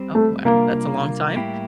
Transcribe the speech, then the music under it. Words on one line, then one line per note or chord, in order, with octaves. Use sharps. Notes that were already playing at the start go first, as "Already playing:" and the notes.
Oh, wow, that's a long time.
Already playing: G3 C4 G4 C5
A3
C3 G3 A#3 D4 F4
A2 G3 A#3 E4 G4